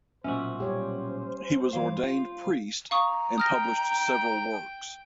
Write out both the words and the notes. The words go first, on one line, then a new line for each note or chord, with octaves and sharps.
He was ordained priest and published several works.
B1 A#2 C#4 F#4 C5 E5
G3 G4 C#5
G2 E3 F5
F4 C5
F5 A#5 C#6 D#6
G5 D#6 F6 A#6